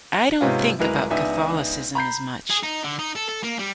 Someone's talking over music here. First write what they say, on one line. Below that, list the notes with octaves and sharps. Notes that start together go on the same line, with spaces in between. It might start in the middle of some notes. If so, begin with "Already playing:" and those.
I don't think about Catholicism as much.
G#2 C3 G#3 B3 C#4 F4
D1 G#3 E4 A#4 B4 F7
C#2 B3 D4 D#4 E5 G#5
A#5 B5 G6 C7
G#4
D#4
D3
D#4
A4
A4
A#3
G3